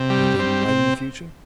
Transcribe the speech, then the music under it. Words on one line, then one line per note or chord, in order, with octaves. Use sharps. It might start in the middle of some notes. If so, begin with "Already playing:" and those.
Would they be right in the future?
Already playing: C3
G3
C4
C3